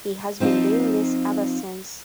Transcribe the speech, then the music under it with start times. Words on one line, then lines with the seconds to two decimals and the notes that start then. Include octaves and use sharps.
He has been doing this ever since.
0.40 F3 C4 D#4 F4